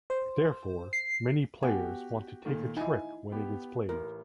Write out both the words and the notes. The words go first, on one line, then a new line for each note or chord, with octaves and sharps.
Therefore, many players want to take a trick when it is played.
C5
C7
B3 F#4 G4 F#5 G#5
A#2 D#3 A3
D#4 E4 G#5
B3 G4
A1 A2 A#4